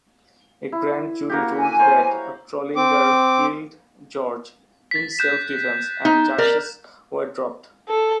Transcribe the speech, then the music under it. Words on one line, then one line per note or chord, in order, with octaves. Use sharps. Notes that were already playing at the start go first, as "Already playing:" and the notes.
A grand jury ruled that Trolinger killed George in self-defense, and charges were dropped.
E4
A#3 F#4 G4
G#5
C5 C#5 A#5
C4 D6
A6 B6
F#6 G6 E7
D#4
A#4 D5
A4